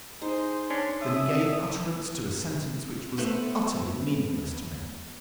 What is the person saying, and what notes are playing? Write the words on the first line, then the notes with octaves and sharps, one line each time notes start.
Then he gave utterance to a sentence which was utterly meaningless to me.
D#4 G#4 C5 C6
C#4 D4
E5 D#6
A3 B3 C5 F#5